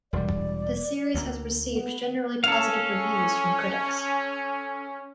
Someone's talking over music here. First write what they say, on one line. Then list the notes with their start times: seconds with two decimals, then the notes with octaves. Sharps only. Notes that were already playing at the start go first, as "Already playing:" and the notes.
The series has received generally positive reviews from critics.
0.13 E1 G3 D5
1.14 D2 A#3
1.71 B3
2.44 C#4 A4 F5